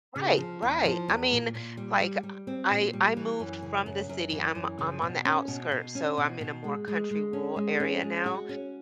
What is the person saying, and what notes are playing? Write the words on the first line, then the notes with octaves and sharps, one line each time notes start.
Right, right. I mean, like, I I I moved from the city, I'm I'm on the outskirts, so, I'm in a more country, rural area now,
C#3
F3
E2
F3
E2
A#2
A#2
G3
G3
G3
C4
A#2
G3
E3
F#2
C#3
F#2
F#2
E3
F#2
C#3
B2
C#4
B2
B2
C#4
B2
B2
G#3
G#3
G#3
C#4
G#3
C#4
G#3
F#4
C#4